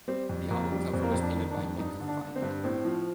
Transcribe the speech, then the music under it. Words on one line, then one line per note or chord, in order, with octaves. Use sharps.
The album cover was painted by Nik Fiend.
G3 C4
F2
F2 A#3
G3
F2 C4
A#3
C4
F2
D4
D#3
D4
F2
G2 D#4
D3
D4
D3
C4
G2
A2 C4
F3